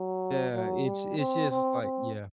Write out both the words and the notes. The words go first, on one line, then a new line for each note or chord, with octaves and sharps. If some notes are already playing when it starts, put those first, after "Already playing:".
Yeah, it's it's just, like yeah.
Already playing: F#3
F#3
G3
C4
C4
C4